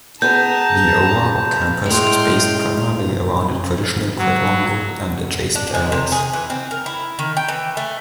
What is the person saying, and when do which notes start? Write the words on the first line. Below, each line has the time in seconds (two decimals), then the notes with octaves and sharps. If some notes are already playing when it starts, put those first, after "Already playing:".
The Aurora campus is based primarily around a traditional quadrangle and adjacent areas.
0.22 B3 G#4 A5 A#5 G6
1.86 A2 G#3 G5 C6 F6
4.18 F#3
5.55 D4
5.75 G#3
5.92 C3
6.12 G#4
6.33 E3
6.50 C4
6.71 A#4
6.86 E4
7.19 D#3
7.37 G5
7.48 E3
7.77 A3